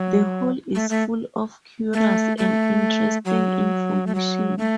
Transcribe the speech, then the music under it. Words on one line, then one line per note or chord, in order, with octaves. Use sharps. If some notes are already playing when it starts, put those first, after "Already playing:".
The whole is full of curious and interesting information.
Already playing: F#3
A3
A3
A3
A3
F#3
A3
F#3
A3